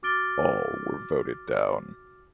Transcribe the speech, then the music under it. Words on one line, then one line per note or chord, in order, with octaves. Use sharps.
All were voted down.
F#4 D6 F6 A6 D7 G7